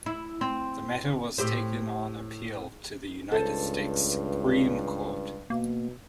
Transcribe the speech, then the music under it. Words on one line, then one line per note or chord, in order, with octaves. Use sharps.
The matter was taken on appeal to the United States Supreme Court.
E4
C4
A2 G4 C5
C#2 G2 A4 C5
B2 A#3